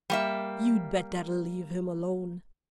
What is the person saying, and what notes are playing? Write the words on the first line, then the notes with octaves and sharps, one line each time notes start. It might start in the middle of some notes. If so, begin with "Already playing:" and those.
You'd better leave him alone.
G3 A#3 E5